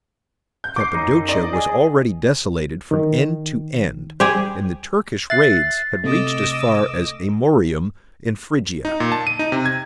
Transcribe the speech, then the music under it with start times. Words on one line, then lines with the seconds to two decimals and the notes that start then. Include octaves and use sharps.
Cappadocia was already desolated from end to end, and the Turkish raids had reached as far as Amorium, in Phrygia.
0.64 G6
0.76 D6 C7
0.94 F#2 D#4
1.29 D5 D#5
1.53 G#4
2.91 D#3
4.20 G3 G4 G#4 C5
5.30 E5 F#6 A6 C7
6.04 C3 A3 D#5 D6 E6
8.85 D#4
9.00 A#2
9.12 A5
9.27 D#7
9.39 D#4
9.52 C3
9.66 G#6